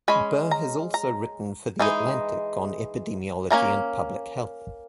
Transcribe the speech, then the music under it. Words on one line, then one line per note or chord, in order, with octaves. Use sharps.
Burr has also written for "The Atlantic" on epidemiology and public health.
G#3 C#4 B5
A#5
A#5
E3 G#3 D#4
E3 A#3 C#4 A#5